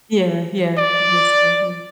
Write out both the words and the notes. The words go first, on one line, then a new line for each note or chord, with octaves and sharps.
Yeah, yeah, basically, yeah.
D5